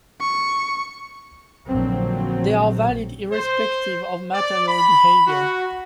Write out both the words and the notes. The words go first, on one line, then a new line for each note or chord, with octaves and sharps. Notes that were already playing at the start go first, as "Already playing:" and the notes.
They are valid irrespective of material behaviour.
C#6
A#1 D3 F#3 C4
C5
D5
B5
F#4